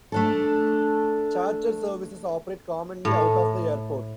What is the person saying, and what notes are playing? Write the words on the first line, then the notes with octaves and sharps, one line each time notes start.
Charter services operate commonly out of the airport.
A3 D4 A4
A2